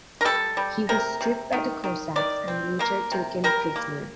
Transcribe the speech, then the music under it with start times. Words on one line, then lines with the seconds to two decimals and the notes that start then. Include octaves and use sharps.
He was stripped by the Cossacks and later taken prisoner.
0.21 A#4
0.25 G3 A4
0.57 G3
0.89 C3 A#4
1.21 C3
1.53 D#3
1.84 D#3
2.16 D#3 D5
2.48 C4
2.79 A#3 A#4
3.12 C3
3.44 G3 A#4
3.76 A#3